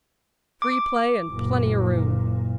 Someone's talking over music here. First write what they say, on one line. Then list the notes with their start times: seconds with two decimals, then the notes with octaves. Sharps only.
"Free play and plenty of room."
0.62 D6
1.29 F#1 A#2